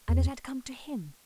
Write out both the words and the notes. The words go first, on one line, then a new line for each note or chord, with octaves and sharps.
And it had come to him!
E2